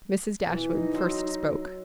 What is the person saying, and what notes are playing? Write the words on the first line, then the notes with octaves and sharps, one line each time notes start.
Mrs. Dashwood first spoke.
B2 E3
D#4
F#3 C6 E6